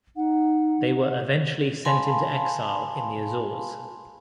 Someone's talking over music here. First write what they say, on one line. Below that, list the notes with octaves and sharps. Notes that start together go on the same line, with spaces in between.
They were eventually sent into exile in the Azores.
D#4 F#5
F5 G#5 A5 B5 C6